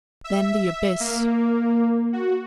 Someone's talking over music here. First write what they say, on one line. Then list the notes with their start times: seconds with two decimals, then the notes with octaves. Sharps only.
Then the abyss.
0.24 E5
1.00 A#3
2.13 F#4